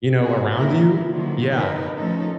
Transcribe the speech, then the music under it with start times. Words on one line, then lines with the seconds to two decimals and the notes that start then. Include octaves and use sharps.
you know, around you Yeah.
0.19 B3 F#4 G#4
0.51 E3 G3 A#3 C4 E4 A#4
1.09 D3 D#3 F3 F#3 A#3
1.51 D#4 A#4 B4
1.95 F3 A3 C#4 D#4 A4